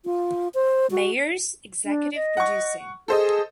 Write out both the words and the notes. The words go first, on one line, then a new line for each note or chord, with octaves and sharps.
Meyers executive producing.
F4
C5
F#4
D4
D#5
F#5 C#6
G#4 A4 C5 D#5